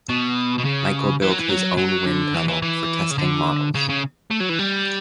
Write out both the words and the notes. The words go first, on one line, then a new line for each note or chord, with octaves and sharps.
Michel built his own wind tunnel for testing models.
B2
B2
C#3
E3
F#3
E3
F#3
F#3
D3
E3
E3
E3
C#3
D3
C#3
C#3
A3
F#3
E3
G3